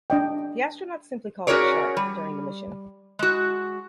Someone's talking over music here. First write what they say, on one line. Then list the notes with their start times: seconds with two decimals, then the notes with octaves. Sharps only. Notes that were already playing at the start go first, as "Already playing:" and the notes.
The astronauts simply called it "Sharp" during the mission.
0.10 D4 D#5 G5
1.47 C#4 F#4 G#4 A#4 C#5 D5
1.97 G3
3.19 G#3 F#4